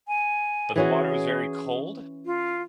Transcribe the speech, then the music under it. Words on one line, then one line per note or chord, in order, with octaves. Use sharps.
but the water was very cold,
G#5
E3 C#4 F#4 G#4
F4